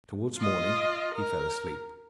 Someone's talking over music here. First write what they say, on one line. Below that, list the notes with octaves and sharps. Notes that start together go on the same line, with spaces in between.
Towards morning he fell asleep.
F4 D#5
A#4